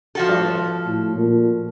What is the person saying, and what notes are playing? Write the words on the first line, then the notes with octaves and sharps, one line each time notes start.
Oh, yeah.
F3 F#4 A4
A2
A#2